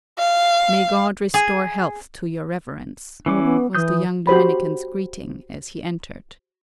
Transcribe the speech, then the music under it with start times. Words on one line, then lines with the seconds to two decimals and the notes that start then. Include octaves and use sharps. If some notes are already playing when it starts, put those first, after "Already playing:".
"May God restore health to your Reverence," was the young Dominican's greeting as he entered.
0.19 F5
1.34 G#4
3.26 E3 G3 C#4 D6
3.44 B3
3.75 E3 D#6 G6
4.27 F#4 G4 C5 B5